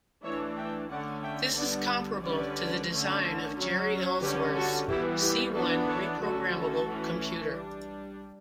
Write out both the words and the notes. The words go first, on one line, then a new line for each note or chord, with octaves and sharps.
This is comparable to the design of Jeri Ellsworth's C-One reprogrammable computer.
E3 A3 D4 C#5 E5
E5 G5
D3 A3 C#4 D5 F#5
E5 G5
D3 G3 B3 D4 D5 F#5
D3 G3 C#4 B4 D5
D3 A3 C#4
F#3 C#4
D3 G3 C#4 G4 B4
F#4 A4
E3 G3 B3 E4 G4
E4 G4
E3 B3 D4 F#4 A4
A4 C#5
D3 F#3 A3 C#4 F#4 A4
F#4 A4
E3 A3 C#4
G3 D4